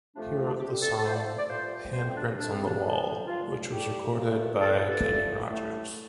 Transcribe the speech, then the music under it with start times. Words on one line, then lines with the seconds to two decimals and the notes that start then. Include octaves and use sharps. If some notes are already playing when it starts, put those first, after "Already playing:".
He wrote the song, "Handprints on the Wall", which was recorded by Kenny Rogers.
0.15 F2 C3 F3 A3 D4
0.41 F4
0.45 D4
0.60 D2 C3 G3 G4
0.82 A4
0.97 A4
1.05 F2 F3 A3 C5
1.16 D5
1.27 C5
1.38 D5
1.49 G2 F3 A3 C5
1.93 F2 C3 G3 C5
2.09 C4
2.16 D4
2.38 D2 C3 A3 D4
2.52 C4
2.64 D4
2.83 F2 D3 F3
3.27 G2 F3 A3 F4
3.72 A2 G3 G4
4.16 G2 F3 A3
4.60 D2 D3 G3 A4
4.75 C5
4.91 A4
5.06 A2 F3 A3
5.50 A2 A3